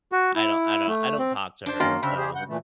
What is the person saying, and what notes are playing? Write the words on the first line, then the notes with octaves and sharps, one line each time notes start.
I don't I don't I don't talk to her, so
F#4
E4
A3
C4
D4 C5
F#2 D#3 A#3 C#4 F#4 D#5 G5
C#3 C4 D4 E5
G4 G#4 C5
G2 F#5 G6
A#2 E3 A3